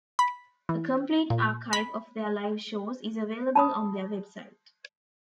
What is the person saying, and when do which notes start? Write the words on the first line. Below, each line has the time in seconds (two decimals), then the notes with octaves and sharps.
A complete archive of their live shows is available on their website.
0.19 B5
0.69 E3
1.30 A#2
1.73 B5
3.55 A5 B5 D#6